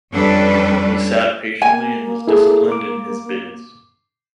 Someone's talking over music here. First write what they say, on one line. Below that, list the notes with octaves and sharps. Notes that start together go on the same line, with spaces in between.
He sat patiently and was disciplined in his bids.
F2 G3 C#4 D4 A4 B4
A#3 G#5
E4 G#4 A4
D6